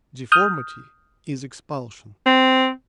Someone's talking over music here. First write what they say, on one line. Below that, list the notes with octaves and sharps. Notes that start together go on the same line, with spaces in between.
Deformity is expulsion.
D#6 F6 G6
C4